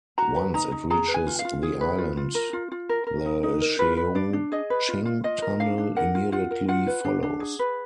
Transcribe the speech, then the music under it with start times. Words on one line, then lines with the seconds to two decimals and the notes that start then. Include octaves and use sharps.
Once it reaches the island, the Cheung Ching Tunnel immediately follows.
0.18 F#4 A#5
0.36 B4
0.54 D#4 A#5
0.72 D#4
0.90 G#4 A#5
1.08 B4
1.14 G#5
1.27 F4
1.39 F5
1.45 F4
1.63 G#4
1.81 B4
1.99 F4
2.17 F4
2.35 A#4
2.53 F4
2.72 F4
2.89 A#4
3.07 A#4
3.25 D#4
3.43 D#4
3.61 A#4
3.79 F4 B4
3.97 B4
4.15 D4 D5
4.33 D4
4.52 G#4 D#5
4.70 B4
4.89 F4
5.05 F4
5.24 F4 D#5
5.42 A#4
5.60 D4 F5
5.78 D4
5.96 A#4 F#5
6.15 F4
6.32 F4 F#5
6.51 A#4
6.68 F4 F#5
6.87 B4
7.05 D4
7.23 D4
7.40 G#4
7.59 B4